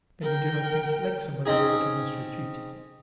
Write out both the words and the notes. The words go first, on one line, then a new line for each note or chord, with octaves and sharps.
"Then you do not think, like some others, that we must retreat?"
A#4 G5
C4 C#4 D#4 G#4